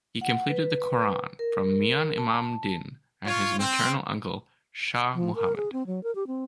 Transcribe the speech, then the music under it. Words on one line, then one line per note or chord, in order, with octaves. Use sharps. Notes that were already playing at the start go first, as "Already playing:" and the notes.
He completed the Quran from Mian Imam Din and his maternal uncle Shah Muhammad.
F#5
B4
A#4
A5
F4 C#5
C4
F3
A#4
G#4
C4
F#3
A#4
G4
C4